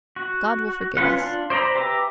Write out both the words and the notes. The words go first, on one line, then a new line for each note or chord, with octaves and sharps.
God will forgive us.
F#4
C#4 F4 B4 F#5
D4 F4
C5 D5 D#5 A#5 B5
G4 B4 E5 A#5 D6